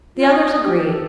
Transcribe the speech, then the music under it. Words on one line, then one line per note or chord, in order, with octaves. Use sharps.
The others agreed.
F4
D#6
G4
A4